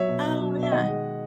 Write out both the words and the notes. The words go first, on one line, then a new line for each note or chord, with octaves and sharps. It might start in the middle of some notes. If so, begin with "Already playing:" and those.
Oh, yeah.
Already playing: F#3 C#5 E5
B2
B2
F#3
B2
E5
D#3 D#5 F#5
G#3